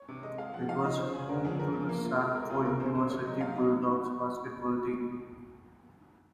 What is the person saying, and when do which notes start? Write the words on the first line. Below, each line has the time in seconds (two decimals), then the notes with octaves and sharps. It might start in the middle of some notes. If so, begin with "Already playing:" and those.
It was home to the Samford University Bulldogs basketball team.
Already playing: C#5
0.08 C3
0.23 G#3 D#5
0.38 G#3 F5
0.53 F3 F#5
0.68 D#4 F5
0.84 F4 D#5
0.99 C#3 C5
1.14 C#4 G#4
1.29 C#4 A#4
1.44 F3 G#4
1.59 F3 A#4
1.74 F3
1.89 A#3
2.05 F4
2.19 G#3
2.34 G#3 A#4
2.49 F4 G#4
2.64 C#3 A#4
2.80 C#3 C5
2.95 C#3 C5
3.10 G#3 C#5
3.25 F#3 D#5
3.41 F#3 F5
3.55 D#4 D#5